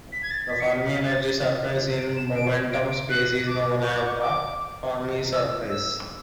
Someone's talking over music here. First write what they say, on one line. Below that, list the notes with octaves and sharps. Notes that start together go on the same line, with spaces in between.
The Fermi energy surface in momentum space is known as the Fermi surface.
B6
G#6
A6
B6
C#7
B6
B6
A6
D7
E7
D7
D7
D7
F#6
D6
C#6
D6
C#6
D6
E6
E6